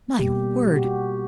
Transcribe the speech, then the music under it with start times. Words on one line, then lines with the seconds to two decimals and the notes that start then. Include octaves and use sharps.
My word!
0.19 B2 G3 A#3 G4
0.67 F#4
0.76 G4
0.84 F#4